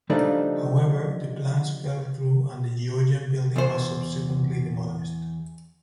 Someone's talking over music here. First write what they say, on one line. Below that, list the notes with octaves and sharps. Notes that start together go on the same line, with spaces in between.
However, the plans fell through and the Georgian building was subsequently demolished.
C#3 F3 G3 A3 D4 D#4
E2 C5